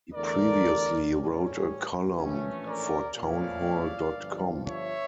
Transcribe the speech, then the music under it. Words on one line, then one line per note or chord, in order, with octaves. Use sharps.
He previously wrote a column for Townhall dot com.
E2 D3 A3 A#4 D5
A1 A2 G3 C#4
A#1 A2 E3 A3 C#4
A#4 D5
A#2 F3 A3 C#4 E4 D5 F5
G1 G2 F3
C#5 E5